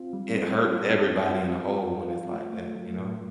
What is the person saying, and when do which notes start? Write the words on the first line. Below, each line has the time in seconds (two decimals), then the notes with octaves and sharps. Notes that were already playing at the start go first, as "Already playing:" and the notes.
it hurts everybody in a whole when it's like that, you know?
Already playing: C4 F4
0.13 G3
0.35 C4
0.57 F4
0.79 G3
1.00 C4
1.22 F4
1.44 C4
1.66 F4
1.88 F4
2.10 F4
2.32 A3
2.53 A3
2.75 F#3
2.97 A2